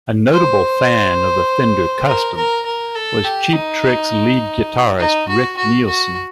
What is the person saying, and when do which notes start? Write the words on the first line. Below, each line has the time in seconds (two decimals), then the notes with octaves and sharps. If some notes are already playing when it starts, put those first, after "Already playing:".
A notable fan of the Fender Custom was Cheap Trick's lead guitarist Rick Nielsen.
0.33 C5
2.07 A#4
2.36 A#4
2.66 A#4
2.95 A4
3.24 G4
3.53 D#4
4.99 D#4
5.28 F#4
5.57 F#4
5.87 F#4